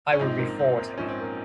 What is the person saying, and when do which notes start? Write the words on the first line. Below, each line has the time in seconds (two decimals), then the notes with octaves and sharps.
I will be forty.
0.12 C#4
0.19 A#1 G#2 F3 C4 D#4
0.39 A#3
0.59 C4
0.79 A#3
0.98 A#1 G#2 F3 C#4
1.08 C4
1.20 A#3